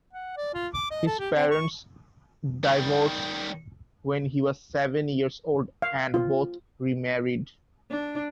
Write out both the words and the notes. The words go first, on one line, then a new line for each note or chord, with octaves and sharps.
His parents divorced when he was seven years old and both remarried.
F#5
D5
F4
D6
D#5
A4
G4
C4
C#6
D#3 G3
F5
F4
D4